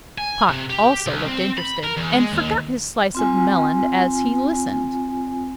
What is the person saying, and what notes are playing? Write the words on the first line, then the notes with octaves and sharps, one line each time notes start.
Tot also looked interested, and forgot his slice of melon as he listened.
G#5
C3
G4
C2
C4
B5
A#4
E2
G#3
D#2
C4 F4 G#5